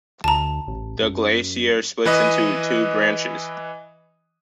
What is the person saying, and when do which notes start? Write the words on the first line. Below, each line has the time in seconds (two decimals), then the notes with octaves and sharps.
The glacier splits into two branches.
0.24 D2 A5 A#5
0.68 A1
1.02 F#2
2.05 E3 B4 D#5 D#6